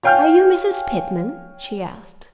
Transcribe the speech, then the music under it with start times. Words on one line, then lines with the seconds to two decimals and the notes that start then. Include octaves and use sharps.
"Are you Mrs. Pitman?" she asked.
0.03 C#5 F5 G5 G#5 F6 G6